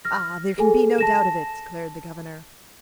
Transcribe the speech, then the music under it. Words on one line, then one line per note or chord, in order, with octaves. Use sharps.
"Ah! there can be no doubt of it," declared the governor.
F6 A#6
G#4 A4 G#5
A5 A#6 E7